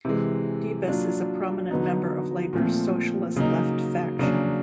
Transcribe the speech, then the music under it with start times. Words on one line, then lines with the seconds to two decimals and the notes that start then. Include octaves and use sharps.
Debus is a prominent member of Labor's Socialist Left faction.
0.05 C3 E3 G#3
0.88 F#3 A#3 D4 F4
1.71 D3 F#3 B3 D#4
2.53 A#2 F3 A3 C4
3.36 C#3 F#3 A#3 D#4
4.19 C#3 F#3 A#3 D4